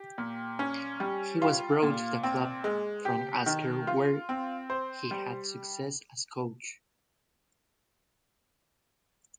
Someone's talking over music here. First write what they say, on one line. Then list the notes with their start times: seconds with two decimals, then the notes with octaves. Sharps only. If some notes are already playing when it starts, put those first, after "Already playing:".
He was brought to the club from Asker where he had success as coach.
Already playing: G4
0.18 A#2
0.59 C#4
1.00 G3
1.42 F4
1.83 A#2
2.23 C4
2.64 G#3
3.05 G4
3.46 D#3
3.87 F4
4.29 C4
4.70 C5
5.11 G3